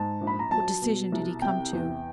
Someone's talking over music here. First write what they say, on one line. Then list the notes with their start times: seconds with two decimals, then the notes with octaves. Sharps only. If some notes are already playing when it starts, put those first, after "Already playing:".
What decision did he come to?
Already playing: G#2 A5
0.21 A#1
0.27 B5
0.39 A#5
0.51 F#3 A5
0.82 B2
1.12 C2
1.42 C3 G5
1.73 E2